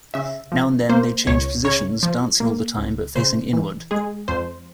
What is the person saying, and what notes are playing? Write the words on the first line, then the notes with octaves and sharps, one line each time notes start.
Now and then they change positions dancing all the time but facing inward.
C#3 E5
F3
A#3 C5
C#2 C#5
C#3 C#5
F3
A#3
C#2
C#3 C5
E3
G#3 G#4
F2 C5